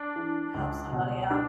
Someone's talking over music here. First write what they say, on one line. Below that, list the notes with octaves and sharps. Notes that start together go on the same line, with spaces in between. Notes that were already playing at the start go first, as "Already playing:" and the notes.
Help somebody out.
Already playing: D4
E3
C#2
B2
D4